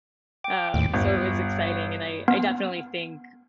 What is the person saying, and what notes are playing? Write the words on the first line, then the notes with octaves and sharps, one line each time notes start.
Um, so it was exciting, and I I definitely think,
G5 D6
D#2 A2
G1
B3